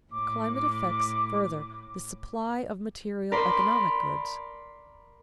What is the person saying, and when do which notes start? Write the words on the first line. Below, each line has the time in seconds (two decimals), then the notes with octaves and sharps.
Climate affects, further, the supply of material economic goods.
0.12 A2 D6
3.32 A#4 D5 B5 C6